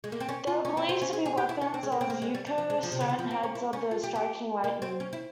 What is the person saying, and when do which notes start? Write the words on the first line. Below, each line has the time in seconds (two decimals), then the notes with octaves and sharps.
They were believed to be weapons of Ukko, stone heads of the striking lightning.
0.04 G#3
0.12 A#3
0.20 C4
0.29 C#4
0.47 F4
0.65 C#4
0.77 C4
0.89 C4
1.02 C#4
1.13 G#4
1.26 G#4
1.38 G4
1.49 E4
1.61 C#4
1.74 C4
1.83 G#3
1.92 A#3
2.01 C4
2.10 A#3
2.22 G#3
2.34 G3
2.47 G3
2.58 F3
2.70 G#3
2.83 F3
2.92 C3
3.00 C#3
3.09 E3
3.19 F3
3.31 C4
3.43 C#4
3.55 E4
3.73 C#4
3.91 F4
4.03 G4
4.15 G4
4.64 A#3
4.82 C4
5.00 C#4
5.13 E4